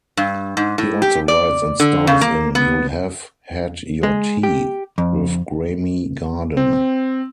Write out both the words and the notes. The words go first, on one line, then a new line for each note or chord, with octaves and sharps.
He also writes and stars in "You'll Have Had Your Tea" with Graeme Garden.
G2
G#2
A2
G4
D5
D3
C#3
A#3
B3
G#3
G4
F2
C4